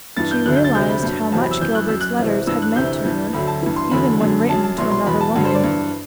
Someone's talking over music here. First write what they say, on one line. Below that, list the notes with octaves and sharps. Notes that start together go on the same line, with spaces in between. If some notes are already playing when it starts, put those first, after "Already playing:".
She realized how much Gilbert's letters had meant to her, even when written to another woman.
G2 E3 A6
G6
D2 D3 F#3 F#6
G6
A6
D2 C3 F#3 G6
B5
G2 F#3
E2 C3 F#3 A5
B5
E6
F#2 E3 G6
F#6
F#2 F#3 E6
F#6
C2 C3 E3
G2 E3 E6
F#6
D2 C3 E3 G6
G2 E3
D2 D3 F#3 B5
A5
G2 E3
C6
E2 D3 F#3 B5
F#2 D3 F#3
F#2 F#3 A5
A5
C2 B2 F#3 C6
C6
E2 B2 F#3 B5
A5
G2 D3 F#3 F#5
C5
D5
G2 E3